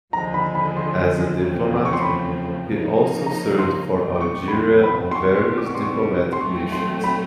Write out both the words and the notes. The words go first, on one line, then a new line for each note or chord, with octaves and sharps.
As a diplomat, he also served for Algeria on various diplomatic missions.
D#2 D3 F3 G#3 A#5
B5
B5
C6
E2 C#3 F3 A3 C4
D6
C#6
C6
B5
C#3 F3 A#3 D#4
A#5
C6
E2 B2 F#3 A3 C4
D6
C#6
B5
C6
B5
C6
C3 E3 G3 B3 C#6
C6
D6
C#6
C6
C#6
C6
A#2 F#3 A3 C4 C#6
C6
B5